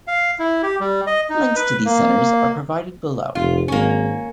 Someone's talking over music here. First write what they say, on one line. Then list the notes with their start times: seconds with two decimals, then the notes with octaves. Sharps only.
Links to these centres are provided below.
0.07 F5
0.39 E4
0.63 G4
0.80 G3
1.07 D#5
1.30 D#4
1.56 B4
1.86 A#3
3.35 F1 F4
3.68 G#1 A#3 C#4